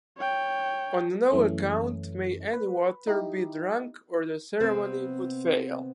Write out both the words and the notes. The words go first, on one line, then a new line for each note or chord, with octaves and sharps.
On no account may any water be drunk, or the ceremony would fail.
C#5 G5
F#2 E3 A3 C#4
B4
D#4 E4 G4
C3 B3 C4